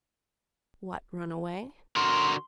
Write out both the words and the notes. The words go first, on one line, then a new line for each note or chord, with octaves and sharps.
"What, run away?"
D3 F#4 A#4 C6